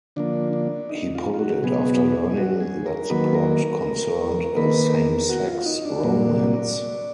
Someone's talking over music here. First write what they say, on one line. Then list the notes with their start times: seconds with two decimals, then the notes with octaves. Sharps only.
He pulled it after learning that the plot concerned a same-sex romance.
0.16 D3 F3 A#3 D4
0.53 D4
0.89 D#4
1.15 F4
1.34 F4
1.39 F#4
1.63 B2 F#3 B3 G#4
2.37 F#4
2.60 G#4
2.86 A#4
3.10 D#3 F#3 A#3 B4
3.34 A#4
3.58 A#4
3.83 A#4
4.57 D#3 A#3 B4
4.93 A#4
5.30 F#4
5.47 F4
5.66 D#4
5.85 D4
6.03 A#2 F#3 A#3